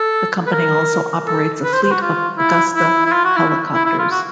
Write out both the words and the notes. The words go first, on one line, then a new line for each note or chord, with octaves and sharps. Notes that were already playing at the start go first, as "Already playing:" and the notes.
The company also operates a fleet of Agusta Helicopters.
Already playing: A4
B4
A#4
A4
B4
C5
C5
F#4
F4
E4
E4
E4
F4
F#4
E4
E4
E4
E4
F4
F#4